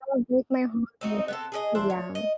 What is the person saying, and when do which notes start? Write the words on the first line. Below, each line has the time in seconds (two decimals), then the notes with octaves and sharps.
that would break my heart, yeah, um,
1.01 C4 D#4 F#4
1.28 B3 C4 A4
1.52 G#4 A4 D#5
1.75 D4 C5 E5
1.90 C#5
2.15 D#5